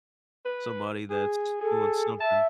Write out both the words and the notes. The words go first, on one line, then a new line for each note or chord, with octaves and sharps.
somebody that's doing something
B4
G#4
G#4 A4
E5 A5